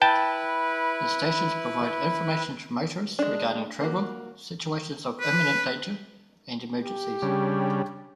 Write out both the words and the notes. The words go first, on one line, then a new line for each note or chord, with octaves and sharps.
The stations provide information to motorists regarding travel, situations of imminent danger and emergencies.
E4 B4 G5 A5
G#3 D4
A#3 F#4
B4
G4
C#3 G3 D4